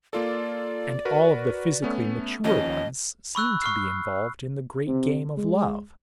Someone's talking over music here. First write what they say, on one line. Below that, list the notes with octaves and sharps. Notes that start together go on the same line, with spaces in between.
And all of the physically mature ones seem to be involved in the Great Game of Love.
A#3 F4 A4 D5
F#4 A#4 B4
A3 B3 C#4
D#2 F3 C#4 D#5
B5 C#6 E6 F#6
C#6 F6 C7
C3
G#3